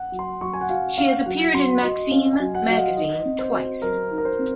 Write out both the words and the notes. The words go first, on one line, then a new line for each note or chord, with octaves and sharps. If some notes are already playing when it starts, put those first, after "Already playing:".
She has appeared in "Maxim" magazine twice.
Already playing: F#5
F#3
C6
F#3 C#6
G#5
F#5
F#4 F5
C#4 F5
F#3 F#5
F#3 C6
F#4 D#5
C#4 F5
G#5
F#3
F#5
F#3 D#5
F5
D#4 D#5
C4
C5
F#4
F#3 A#4
D#4
A#4
C5
C4